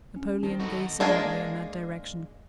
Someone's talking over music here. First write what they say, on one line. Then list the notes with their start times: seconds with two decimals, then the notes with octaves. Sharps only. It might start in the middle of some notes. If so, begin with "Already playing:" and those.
Napoleon gazed silently in that direction.
0.16 C#4
0.43 D#3 C4 A5
0.60 D#4 F#4 A4
1.00 G#3 A#3 D4 G#4